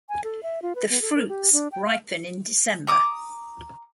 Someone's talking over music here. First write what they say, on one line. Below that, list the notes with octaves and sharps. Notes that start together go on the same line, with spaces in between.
The fruits ripen in December.
G#5
A4
E5
F4
B4
B3
A4
A#4
G4
D4
G5
F5
A#5 D6 D#6